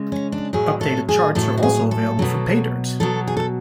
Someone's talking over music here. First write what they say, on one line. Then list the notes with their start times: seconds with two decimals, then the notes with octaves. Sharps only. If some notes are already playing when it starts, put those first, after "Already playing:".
Updated charts are also available for Paydirt!
Already playing: C#3 G#3
0.12 C#4
0.32 D4
0.53 A2 F#3 G#4
0.81 A4
1.09 G#4
1.35 A2 F#3 A4
1.57 F#4
1.63 G#4
1.91 A4
2.19 B2 F#3
3.00 B2 F#3 A4
3.27 G#4
3.37 A4